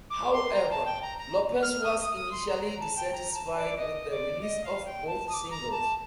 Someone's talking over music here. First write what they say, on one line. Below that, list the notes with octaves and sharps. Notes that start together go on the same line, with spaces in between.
However, Lopez was initially dissatisfied with the release of both singles.
D6
C6
A#5
A5
G5
A#5
A#5
F6
D#6
D#6
D#6
C6
A#5
A#5
A5
G5
A#5
A5
D5
D#5
D5
D#5
F5
G5
A5
D#6
D6
A#5
A5